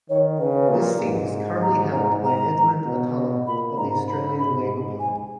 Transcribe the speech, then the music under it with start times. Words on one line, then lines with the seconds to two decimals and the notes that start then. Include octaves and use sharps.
This seat is currently held by Edmond Atalla, of the Australian Labor Party.
0.09 D#3 C#5
0.39 C#3 B4
0.70 A#2
1.01 G#2
1.62 A#5
1.93 A#5
2.24 A#5
2.85 B2
3.47 A#2 B5
3.77 G#2 A#5
4.08 B5
4.39 B5
4.99 G#5